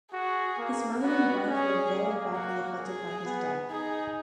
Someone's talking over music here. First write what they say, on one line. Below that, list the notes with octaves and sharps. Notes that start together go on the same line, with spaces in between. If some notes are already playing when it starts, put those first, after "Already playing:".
His mother and wife were very badly affected by his death.
F#4 G#4
A#3
B3 F#4
C#4 G#4
A#3
F#4
G#4
B3
D#4 G#4